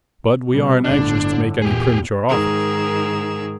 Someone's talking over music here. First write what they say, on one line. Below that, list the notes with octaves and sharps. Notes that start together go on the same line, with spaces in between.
But we aren't anxious to make any premature offers.
B2 G3
G1 A2 D3 D4
E2 A#2 G4 G#4
G#2 D#3 G#4 A#4 E6